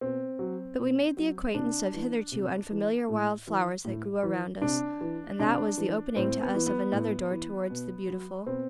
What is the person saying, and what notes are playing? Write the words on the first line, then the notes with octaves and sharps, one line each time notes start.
But we made the acquaintance of hitherto unfamiliar wild flowers that grew around us, and that was the opening to us of another door towards the Beautiful.
B2 C4
F#3
B2
F#3
C3 D4
E3
C3
E3
A2
E3
A2
E3
C3 D4
E3
C3 D4
E3
A2 C4
B3
E3
B3
A2
E3
B2
F#3
B2 C4